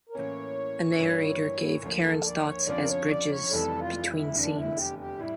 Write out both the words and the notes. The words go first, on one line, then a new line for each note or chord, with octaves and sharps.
A narrator gave Karen's thoughts as bridges between scenes.
A#4
A2 E3 A#3 C#4 C#5
G2 E3 G3 A#3 E4
D2 D3 F3 A#3
A4
D5
C#5
F2 D3 F3 C#4 F4 D5
A#4
C#5
D5
C#5
F1 F2 E3 G3 A4
F4
E4
F1 E2 D3 D4
E4
G4
G4
A2 G3 E4